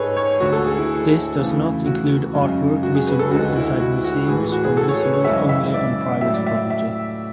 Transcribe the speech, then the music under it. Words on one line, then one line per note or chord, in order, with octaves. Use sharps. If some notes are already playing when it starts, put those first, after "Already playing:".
This does not include artwork visible inside museums or visible only on private property.
Already playing: G#2 G#3 G#4 A4 B4 C#5
C#5
D2 D3 A3 F#4
A4
G#4
E4
E2 C#3 E3 A3
F#4
F#2 C#3 G#3
F#4
G#4
B4
A4
D2 D3 G#3 F#4
E4
F#4
F#4
A2 E3 A3 G#4
F#4
G#4
A4
C#5
B4
C#5
F#2 C#3 E3 G#3 E5
E5
D5
A2 F#3 A3 E5
D5
E5
E5